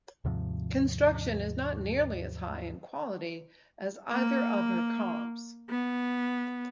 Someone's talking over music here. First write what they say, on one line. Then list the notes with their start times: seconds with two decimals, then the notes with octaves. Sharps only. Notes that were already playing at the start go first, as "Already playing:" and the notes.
Construction is not nearly as high in quality as either of her comps.
0.24 D#2 G#2 C3 F3
4.12 A#3
5.69 B3